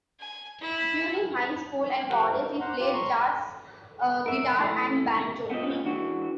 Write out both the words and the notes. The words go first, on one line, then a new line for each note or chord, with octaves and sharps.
During high school and college, he played jazz guitar and banjo.
G#5
E4
C3 F3 A3 A#4 F#5 G5
G2 G#3
D#4 A#4
C5 F#5 A#5
F4 G4
A3 A#5 C6 C#6
A#4 E5
E3 A3
D#2 C3
B3 C4 F4 D#5
A#2 C#4
E3 D4 F#4